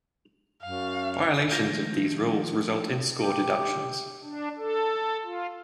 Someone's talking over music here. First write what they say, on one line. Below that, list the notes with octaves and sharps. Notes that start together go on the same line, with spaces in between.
Violations of these rules result in score deductions.
F#2 F5
D#3 F3 A3 F4 G6 A#6 F7
G4
D4
A4
F4